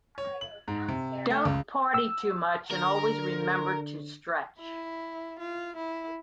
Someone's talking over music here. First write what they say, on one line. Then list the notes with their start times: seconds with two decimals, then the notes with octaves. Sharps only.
Don't party too much and always remember to stretch.
0.18 C#5
0.41 F#7
0.68 G#2
0.88 C3
1.30 A3
1.45 C#2
1.94 E6
2.71 D3 A#4
4.60 E4
5.39 F4
5.77 E4